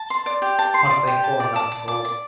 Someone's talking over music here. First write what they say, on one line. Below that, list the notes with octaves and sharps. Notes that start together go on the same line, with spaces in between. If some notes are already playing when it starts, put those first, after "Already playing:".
I'm thankful I got the goal ...
Already playing: A5
C6
D5
G4
A5
C6
D5
G4
A5
D5
A5
D5
D6
D5